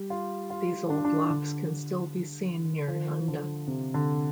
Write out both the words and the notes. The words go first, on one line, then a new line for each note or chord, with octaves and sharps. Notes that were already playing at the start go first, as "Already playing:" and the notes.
These old locks can still be seen near Nunda.
Already playing: G3
F4
F4
D4
F4
D4
D3
F3
D3
C3
D3